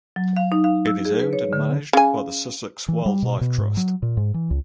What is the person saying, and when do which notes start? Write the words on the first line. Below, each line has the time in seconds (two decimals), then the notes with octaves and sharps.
It is owned and managed by the Sussex Wildlife Trust.
0.16 F#3
0.37 F5
0.52 D#4
0.64 F5
0.87 E6
1.05 G#4
1.19 B4
1.33 C#5
1.53 D3
1.93 C#3 G#5
2.88 E3
3.06 G3
3.22 B2
3.41 B2
3.58 G#2
3.77 F#3
4.02 A#2
4.17 G#2
4.34 E3
4.50 C#2